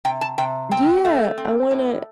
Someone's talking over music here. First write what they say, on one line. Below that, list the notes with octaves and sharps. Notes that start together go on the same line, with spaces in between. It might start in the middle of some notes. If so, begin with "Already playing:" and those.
Yeah, I wanna
C3 G5
A5
C3 G5
C4 G5
A3
C4
A2